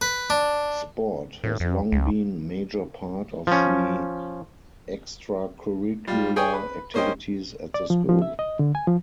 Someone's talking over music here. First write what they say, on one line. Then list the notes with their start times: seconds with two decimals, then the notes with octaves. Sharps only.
Sport has long been major part of the extracurricular activities at the school.
0.01 B4
0.30 D4
1.44 A2
1.60 F2
1.92 C#2
3.47 F3 C#4
6.07 G3 F4
6.36 G#4 C#5 G5 G#5 D#6
6.53 B4
6.94 A#3 C#4 C5 D#5 G5
7.74 D5
7.90 F3
8.09 F3
8.22 E5
8.39 D#5
8.59 D3
8.75 G#5
8.87 F3